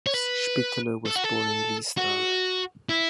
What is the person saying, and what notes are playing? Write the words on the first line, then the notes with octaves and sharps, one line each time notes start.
Spitteler was born in Liestal.
C#5
B4
A4
F#4
A4
F#4
E4